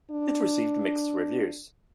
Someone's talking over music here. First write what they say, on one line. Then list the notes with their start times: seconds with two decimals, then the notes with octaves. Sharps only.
It received mixed reviews.
0.11 D4